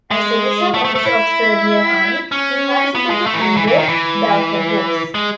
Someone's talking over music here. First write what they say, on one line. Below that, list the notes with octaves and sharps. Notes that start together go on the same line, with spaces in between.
As a reserve officer of Serbian army he participated in both Balkan Wars.
G#3
A3
A3
A3
E4
C#4
B3
G#3
A3
E3
F#3
E3
E3
D#3
E3
G#3